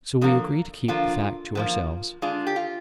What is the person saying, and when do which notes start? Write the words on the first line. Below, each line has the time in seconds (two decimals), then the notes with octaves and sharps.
So we agree to keep the fact to ourselves.
0.21 D3 F3 A#3
0.88 D3 F3 A#3 F4
1.55 D3 F3 A#3
2.22 D3 G#3 D4 F4
2.47 G4
2.56 F4